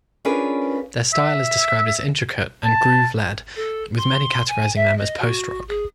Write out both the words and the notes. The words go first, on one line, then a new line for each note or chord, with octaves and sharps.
Their style is described as intricate and groove-led with many categorizing them as post-rock.
C#4 D4 F4 G#4 A#4 B4
E5
A5
A4
C6
G#5
E5
D#5
F#4
G#4